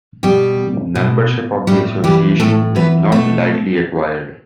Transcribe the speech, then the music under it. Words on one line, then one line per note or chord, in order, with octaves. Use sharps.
Membership of the association is not lightly acquired.
B2 G3 G4
B2
A2 G3 G4
E3 G3 G4
A2 A3 A4
E3 B3 B4
B2 A3 A4